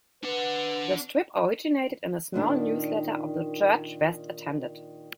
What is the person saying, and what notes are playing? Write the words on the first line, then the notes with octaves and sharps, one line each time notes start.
The strip originated in a small newsletter of the church West attended.
D4 B4 F#5
A#2 D#3 D4